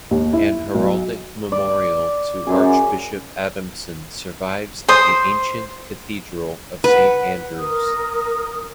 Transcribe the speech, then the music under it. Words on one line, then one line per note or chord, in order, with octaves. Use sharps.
An heraldic memorial to Archbishop Adamson survives at the ancient cathedral of Saint Andrews.
D#2
E4
B1
D5
F#2 G#4
C5 C6 D#6
B4 F#5
A#4 D#6